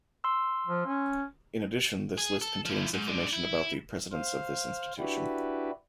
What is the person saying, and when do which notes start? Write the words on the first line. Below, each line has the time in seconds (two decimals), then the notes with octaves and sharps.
In addition, this list contains information about the presidents of this institution.
0.24 C6 E6
0.67 F3
0.86 C#4
2.18 G#4
2.41 A4
2.65 F3 E4
2.93 G#2
3.07 G#3 D4
3.33 E4
4.12 C5 F5
4.99 D4 E4 F#4 G4 B4